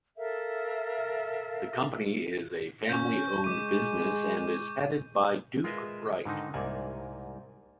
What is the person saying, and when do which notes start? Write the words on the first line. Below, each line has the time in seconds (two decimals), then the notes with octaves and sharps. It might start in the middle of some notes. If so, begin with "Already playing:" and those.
The company is a family-owned business and is headed by Duke Wright.
0.17 A4 A#4 E5 F5
2.89 C#4 C#6 G6
3.44 G#3 D6 D#7
5.64 G#3 F4 A#4 B4 D#5 E5
6.25 G#2 D3 D#3 D#4
6.54 C2 G#2 A#3 D5 G#5